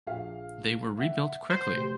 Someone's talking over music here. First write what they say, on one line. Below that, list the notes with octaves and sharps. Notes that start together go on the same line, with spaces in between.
They were rebuilt quickly.
A#1 G#4 F5
E5 F#5
C5
F1 G4